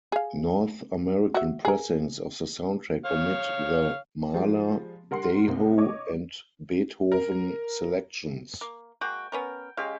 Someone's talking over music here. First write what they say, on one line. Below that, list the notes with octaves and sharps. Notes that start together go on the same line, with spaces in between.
North American pressings of the soundtrack omit the Mahler, Daho and Beethoven selections.
G#4 F5
F#4 E5
G#4 A#4
C#5 F5
F3 G3 G#3
G3 A#4 F#5 C6 C7
C2 A#3 C4
C#5 D#5 C#6 D6
A#4
A#3
G#3 A#3 F#4 G5
B3 C#4 A#4
G#3 C#4 G4 F5